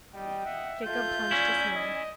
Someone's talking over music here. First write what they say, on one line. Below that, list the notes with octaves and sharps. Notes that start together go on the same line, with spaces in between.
Jacob plunged his hand.
G3 D#5 G5
E5 F#5
F4 A4 E5 G6
C#4 E4 D5 G#5
D#5